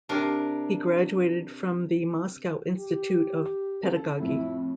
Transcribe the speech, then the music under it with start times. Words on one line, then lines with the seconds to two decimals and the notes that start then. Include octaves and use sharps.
He graduated from the Moscow Institute of Pedagogy.
0.09 C3 D4 A#4
2.76 G4
3.82 C#4 A4
4.19 F2 A2 E4